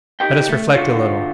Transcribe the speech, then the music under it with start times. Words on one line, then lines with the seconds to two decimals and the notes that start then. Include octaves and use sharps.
Let us reflect a little.
0.20 D#4 G4 A#4 G5
0.48 A3
0.73 D3 F4 F#4